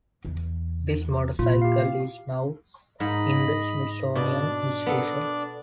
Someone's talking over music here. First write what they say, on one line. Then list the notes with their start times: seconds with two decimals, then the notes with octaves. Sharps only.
This motorcycle is now in the Smithsonian Institution.
0.25 E2
1.39 A#2 E4 F4
1.62 G4 F5
3.00 G#2 D#5 B5
4.15 B2 D4 D5
4.86 B3 A4